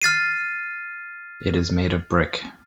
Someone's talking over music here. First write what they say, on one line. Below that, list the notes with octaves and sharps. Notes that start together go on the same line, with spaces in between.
It is made of brick.
F6 A6 C7 D#7